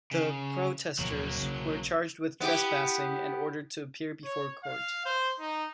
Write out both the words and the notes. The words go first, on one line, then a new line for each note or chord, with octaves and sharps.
The protesters were charged with trespassing and ordered to appear before court.
C#3
D1 B2 F3 F#3 A#3
B1 C#3
B3 E4 G4
C#5
F5
C5
D#4